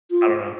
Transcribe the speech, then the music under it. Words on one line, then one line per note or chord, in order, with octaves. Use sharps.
I don't know.
F4